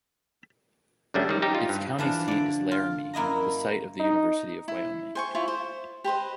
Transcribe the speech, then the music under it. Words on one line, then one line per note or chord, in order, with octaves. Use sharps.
Its county seat is Laramie, the site of the University of Wyoming.
F#2 C#3 G3 A3 C#4 D4
D#3 G3
D#4 G4
F4
G2
E3 F3 D4
D3 D5
F4
F#2 A#3 E4 D#5 A#5
D#4
E4
C5 G#5 C#6
E4 F4 C#5
C5
G4 B4 C5 D#5